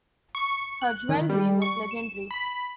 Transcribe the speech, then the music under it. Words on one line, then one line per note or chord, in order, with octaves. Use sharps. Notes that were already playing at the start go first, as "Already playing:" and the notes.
Her jewelry was legendary.
C#6
F#6
D#3
G3
C#6
E7
B5